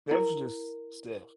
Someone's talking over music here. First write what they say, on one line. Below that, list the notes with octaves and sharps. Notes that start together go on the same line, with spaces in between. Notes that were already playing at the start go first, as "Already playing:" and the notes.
That's just Steph.
E4 A#4